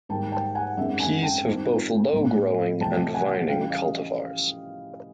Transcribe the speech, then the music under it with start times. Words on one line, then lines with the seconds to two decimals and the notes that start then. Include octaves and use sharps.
Peas have both low-growing and vining cultivars.
0.09 G#2 D#3 G3 A#3 G5 A5
0.32 G5 A5
0.55 F#5 G#5
0.77 F#2 D#3 G#3 C4 D#4 E5 F#5
1.00 F#5 G#5
1.22 G5 A5
1.45 D#3 G3 C4 D#4
2.13 A2 F#3 B3
2.80 F2 C3 E3 A3 G5 A5
3.14 F#5 G#5
3.48 C#3 E3 G3 F5 G5
3.70 D#5 F5